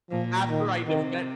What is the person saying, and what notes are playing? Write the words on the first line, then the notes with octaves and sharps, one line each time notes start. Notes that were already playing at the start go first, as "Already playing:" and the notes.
after I defend
A#2 F3
D#3
C3 D#3